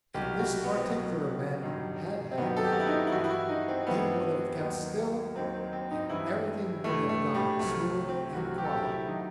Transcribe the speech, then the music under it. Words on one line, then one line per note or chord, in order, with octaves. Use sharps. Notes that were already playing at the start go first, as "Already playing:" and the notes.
If this particular man had had, he would have kept still, and everything would have gone on smooth and quiet.
C2 B2 F#3 G4
F#4
B3
C4
C2 B2 F#3 B3
G2 D#3 F#3
C4
G2 D#3 F#3 B3
A4
G4
F#4
E4
D#4
E4
G2 E3 F#4
E4
F#4
D#4
C4
C4
G2 E3 B3
D#2 D#3 F#3
D#2 D#3 F#3 C4
C4
C4
D#4
G2 E3 E4
G2 E3 A3
A3
G3
C2 C3 F#3 A3
C4
C2 C3 F#3 F#4
G4
A4
G4
E4
D#3 F#3 D#4